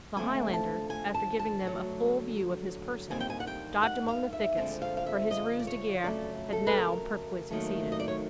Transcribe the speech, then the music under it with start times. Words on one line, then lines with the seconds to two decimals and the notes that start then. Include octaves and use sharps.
The Highlander, after giving them a full view of his person, dived among the thickets, for his ruse de guerre had now perfectly succeeded.
0.17 D#2 D3 F3 A3 C4 G#5
0.53 A5
0.90 G#5
1.14 A5
1.39 A5
1.64 D2 D3 F#3
3.10 D#2 D#3 G3 C4 G#5
3.20 G5
3.30 G#5
3.40 F#5
3.47 G5
3.83 F#5
4.08 F5
4.33 E5
4.57 F2 D3 F3 G#3 C4
4.82 F5
4.97 F5
5.06 E5
5.31 D#5
5.59 D5
5.67 C#5
6.04 F2 C#3 F#3 A3 D5
6.53 A4
6.67 B4
6.77 A#4
7.51 D#2 D#3 F#3 A3
7.92 D#5
8.00 D5
8.08 C#5